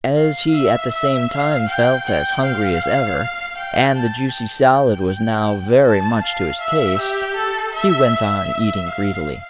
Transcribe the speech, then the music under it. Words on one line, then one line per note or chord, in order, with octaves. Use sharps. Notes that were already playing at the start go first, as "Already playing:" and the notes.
As he at the same time felt as hungry as ever, and the juicy salad was now very much to his taste, he went on eating greedily.
F5
E5
E5
F5
G5
G5
F5
G5
A5
G5
A5
F5
E5
G4
A4
E5
E5
F5